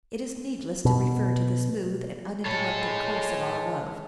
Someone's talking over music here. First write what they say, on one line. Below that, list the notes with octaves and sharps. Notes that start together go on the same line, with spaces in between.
It is needless to refer to the smooth and uninterrupted course of our love.
B2
G#3 A4 C#5